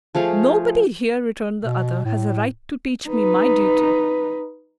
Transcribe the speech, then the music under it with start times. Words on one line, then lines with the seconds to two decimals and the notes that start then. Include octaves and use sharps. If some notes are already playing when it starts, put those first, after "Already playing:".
"Nobody here," returned the other, "has a right to teach me my duty."
0.15 F3 A3 G#4 F5
1.63 B2
2.05 A2
3.09 D#4 B4